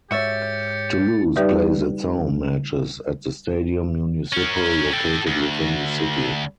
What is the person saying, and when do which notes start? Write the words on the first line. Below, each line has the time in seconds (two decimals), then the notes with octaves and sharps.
Toulouse plays its home matches at the Stadium Municipal located within the city.
0.11 G#2 F#4 G4 C#5 E5 A6 C#7
1.36 G3 D#4 G4 B4 D5 E5
4.33 C#4 A#4
4.93 A4 G5
5.27 D2